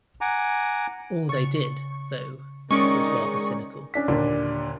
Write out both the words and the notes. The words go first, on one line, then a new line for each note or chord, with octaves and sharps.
All they did, though, was rather cynical.
F#5 G#5 A#5 D6
C#3 C#6 A6
D#3 G#3 C#4 D#4 D5 C#6
C#4 D4 B6
D#2 A#2 D3 D4